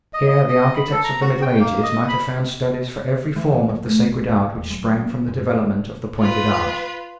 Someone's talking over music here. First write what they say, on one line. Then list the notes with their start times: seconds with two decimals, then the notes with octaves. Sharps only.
Here the architects of the middle ages might have found studies for every form of the sacred art which sprang from the development of the pointed arch.
0.14 D#5
0.28 D#5
0.49 D#5
0.75 B5
0.92 A4
1.04 A#5
1.21 F#4
1.42 G5
1.59 A#3
1.83 D#5
2.08 B5
3.36 E3
3.53 F#2
3.69 F3
3.86 A3
3.98 A1
4.29 E3
4.55 E1
4.70 F#3
4.95 C#4
5.28 F#2
6.20 F4 B4